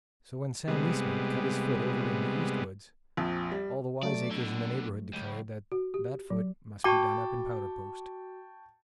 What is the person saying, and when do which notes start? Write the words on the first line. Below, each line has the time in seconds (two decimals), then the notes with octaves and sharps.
So when Sam Eastman cut his foot over in the "east woods," all the wiseacres in the neighborhood declared that that foot must be done up in powder-post.
0.68 C3 G3 G#3 B3
3.17 A#1 F2
3.51 G3
4.03 F#3 A3 D5
4.31 B2 D3
5.13 C#2
5.72 F#4
5.94 G4
6.30 F#3
6.84 F#4 G5 A5 C#6 D6